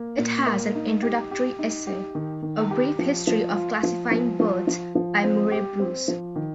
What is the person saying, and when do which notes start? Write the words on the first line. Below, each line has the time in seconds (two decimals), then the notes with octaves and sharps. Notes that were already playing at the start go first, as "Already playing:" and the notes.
It has an introductory essay "A Brief History of Classifying Birds" by Murray Bruce.
Already playing: A#3
0.19 A#2
0.47 A#3
0.75 D#4
1.03 G4
1.31 G4
1.59 D#4
1.87 G4
2.15 D#3
2.43 D#3
2.71 G4
2.99 F3
3.27 F3
3.55 F4
3.83 F3
4.11 F3
4.40 F3
4.67 F3
4.95 F3
5.24 C4
5.52 G4
5.80 C4
6.08 F3
6.36 D#3